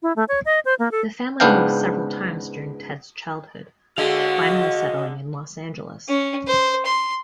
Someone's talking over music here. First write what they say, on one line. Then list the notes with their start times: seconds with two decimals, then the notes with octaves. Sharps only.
The family moved several times during Ted's childhood, finally settling in Los Angeles.
0.03 E4
0.16 A3
0.28 C#5
0.45 D#5
0.65 C5
0.79 A#3
0.91 A4
1.40 C#2 G#2 B3 D4 F5 G5
3.98 D3 G#3 F#4 D#5 F5
6.08 C#4
6.47 C5
6.86 C6